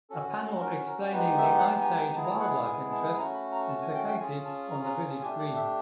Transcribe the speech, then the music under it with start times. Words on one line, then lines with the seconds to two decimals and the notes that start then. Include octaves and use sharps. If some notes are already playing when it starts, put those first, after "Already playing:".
A panel explaining the Ice Age wildlife interest is located on the village green.
0.10 C#4 F#4 A4
0.35 A4
0.61 A#4
0.87 A#4
1.12 G#3 B3 D#4 G4 B4
1.38 E5
1.58 F#5
1.64 F5
1.81 G#5
1.97 G#5
2.15 G#3 B3 E4 G#4 A5
2.23 A#5
2.29 A5
2.40 F#5
2.66 G#5
2.92 A5
3.18 A3 C#4 F#4 A#5
3.34 B5
3.52 A#5
3.69 A5
3.82 G#5
3.94 G5
4.07 G5
4.20 C#4 F4 G#4 G#5
4.45 A5
4.71 A#5
4.83 A#5
4.96 A#5
5.10 A5
5.22 A3 D4 G4 G#5
5.39 D5
5.56 E5